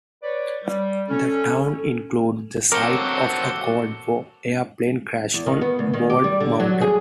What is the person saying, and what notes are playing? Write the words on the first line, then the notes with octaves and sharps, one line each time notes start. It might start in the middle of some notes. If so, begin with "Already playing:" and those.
The town includes the site of a Cold War airplane crash on Bald Mountain.
B4 C#5 D5
G3
C#4 A4
F#3 C4 F#4 A4 A#4 D6 C#7 G7
E2
D#3
B3
D2
D#3
G4
G3
D3
F#3
G#4